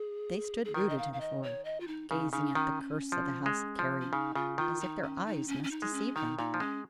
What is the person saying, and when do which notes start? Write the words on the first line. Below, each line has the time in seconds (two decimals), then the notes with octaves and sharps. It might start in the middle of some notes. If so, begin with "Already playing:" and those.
They stood rooted to the floor, gazing at the Curse of the House of Carey as if their eyes must deceive them.
Already playing: G#4
0.65 G#4
0.74 D#3 A#4
0.89 D#5
0.98 F5
1.13 F5
1.21 D#5
1.43 C#5
1.65 D#5
1.80 F4
1.87 D#4
2.10 C#3 D#4
2.33 C#3 D#4
2.55 D#3 C#4
3.12 F3
3.46 G#3
3.79 F3
4.01 C#4
4.13 C#3 D#4
4.35 C#3 F4
4.58 D#3 F4
4.81 D#4
5.03 C#4
5.26 D#4
5.48 C#4
5.64 C#4
5.71 D#4
5.82 G#3
5.94 C#4
6.16 D#3 D#4
6.39 A#2 D#4
6.54 F3
6.60 G#3 C#4